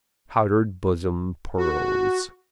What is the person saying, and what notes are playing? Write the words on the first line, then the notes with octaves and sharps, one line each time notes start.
Powdered bosom pearls.
F#4